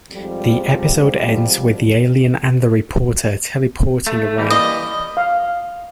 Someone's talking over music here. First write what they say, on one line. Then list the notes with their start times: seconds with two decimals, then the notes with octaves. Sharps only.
The episode ends with the alien and the reporter teleporting away.
0.11 F2 G#2 F3 G3
4.07 A3
4.38 E3 G3 A#3
4.50 D#5
5.17 F5